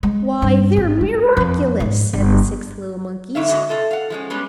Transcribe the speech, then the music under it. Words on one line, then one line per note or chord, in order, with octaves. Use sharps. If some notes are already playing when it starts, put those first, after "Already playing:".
"Why, they're miraculous!" said the six little monkeys.
G#3
G2
G#1
G#3
F2
G#2
G1
F2 D3 F3 C#5 E5 F5
G#2 D3 F#4 A4 D#5
C3 F4 A4 D#5
F5 F#5
F3 G#3 C#4
G3 G#3 B3 C#4